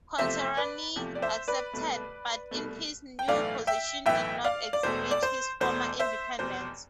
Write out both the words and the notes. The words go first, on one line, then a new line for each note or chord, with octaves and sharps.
Contarini accepted, but in his new position did not exhibit his former independence.
E2 C3 F3 A3 C5 E5
B4 D5
E2 C3 F3 A3
D5
C5 E5
B4 D5
C2 B2 A3
C2 B2 A3
G5
B1 A2 E3 A3 D5 F5
E5 G5
B1 A2 E3 A3 E5 G5
D5 F5
D5
E1 E2 B2 A3 C5
D5
C5
E1 E2 B2 A3 C5
C5 E5
F1 E2 B2 C5